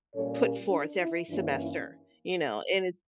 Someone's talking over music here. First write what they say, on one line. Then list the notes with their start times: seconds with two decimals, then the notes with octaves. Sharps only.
put forth every semester, you know? And it's
0.13 A#2 G3 C#4 A4 C#5
0.42 G4 A#4
0.71 D4
1.01 E4
1.30 G2 E3 A#3 C#4 D4 F4
1.59 E4